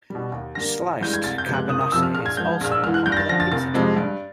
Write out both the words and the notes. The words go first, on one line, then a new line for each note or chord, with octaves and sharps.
Sliced cabanossi is also a popular pizza topping.
B2 G3
D#2
D3 G3 A#3 A#6
A1
G2 E3 G#3 G6
G#6
C2 A6
G6
C3 F3 G#3 B3
F#6
F#1 D#6
D#6
F2 C3 F3 E6
F6
A#1 F6
G#6
G#2 F3 G6
A#1 F6
E6
G#2 E3 F6
F#6
G2 G6
A#6
A6
D3 F3 A#6
A6
F1 A6
F2 C3 F3 G#3
G2